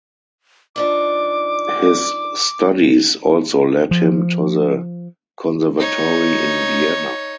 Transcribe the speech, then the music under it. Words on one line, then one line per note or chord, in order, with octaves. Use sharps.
His studies also led him to the Conservatory in Vienna.
F3 D4 D#4 D6
F3
D#4 C#5